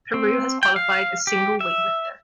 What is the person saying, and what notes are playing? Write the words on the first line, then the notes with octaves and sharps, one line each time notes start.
Peru has qualified a single weightlifter.
C4
G5
F5
G4
E5